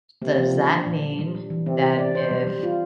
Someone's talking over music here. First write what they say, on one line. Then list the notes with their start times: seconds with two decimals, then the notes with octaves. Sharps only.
Does that mean that if
0.22 C3 A#3
0.38 F3
0.54 A#3
0.70 D4
0.86 A#2
1.02 G3
1.18 G3
1.35 G3
1.50 E3
1.66 C3 C4
1.83 G4
1.99 D5
2.15 C5
2.31 G3
2.47 G3
2.63 F4